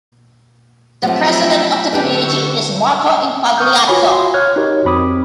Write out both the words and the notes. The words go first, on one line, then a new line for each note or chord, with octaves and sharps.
The president of the Community is Marco Impagliazzo.
C3 F3 F#3 A3 E5 G5 B5
D3 B3 D4 G4 C#6 E6
C#6 D#6 F6 G6
F4 F#4 C#5 G#5 B5
C6
C#5 F6 F#6 G#6
D#4 F#4 G4 A#4 C#5 D#5
F2 C4 B5 D6 D#6